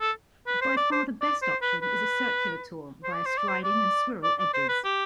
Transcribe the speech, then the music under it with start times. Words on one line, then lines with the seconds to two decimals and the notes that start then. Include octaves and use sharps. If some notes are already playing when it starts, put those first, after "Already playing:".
By far the best option is a circular tour via Striding and Swirral Edges.
0.01 A4
0.47 B4
0.61 C5
0.77 D5
0.92 C5
1.21 D5
1.42 C5
1.62 B4
1.82 B4
3.04 C5
3.14 D5
3.26 C5
3.38 D5
3.48 C5
3.64 D5
4.24 D5
4.39 D5
4.54 C5
4.69 B4
4.85 G4